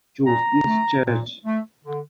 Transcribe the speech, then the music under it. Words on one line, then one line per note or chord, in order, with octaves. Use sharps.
Jooste’s church.
A#2 A#5
A3
A#2
A3
D3